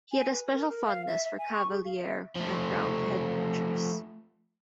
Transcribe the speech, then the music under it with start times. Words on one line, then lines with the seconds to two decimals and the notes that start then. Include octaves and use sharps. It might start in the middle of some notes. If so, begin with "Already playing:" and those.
He had a special fondness for Cavalier and Roundhead pictures.
0.12 G#5
0.31 B4
0.53 A#4
0.69 A#4
0.86 F5
1.08 E5
1.25 E5
1.38 G#5
1.52 C#6
1.70 G#4
1.85 F5
2.03 E5
2.36 F3 A3